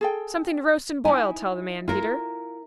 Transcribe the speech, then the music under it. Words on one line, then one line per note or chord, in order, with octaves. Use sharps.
"Something to roast and boil, tell the man, Peter."
G#4 A4 G5
D#4 E4 G#5
E4 F4 A#4